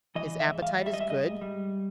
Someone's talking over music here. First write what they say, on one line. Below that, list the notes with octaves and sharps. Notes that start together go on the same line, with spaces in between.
"His appetite is good?"
E3 D#5
E5
G#2
F5
G3
E5
D#5
E5
G#2 D#5
G3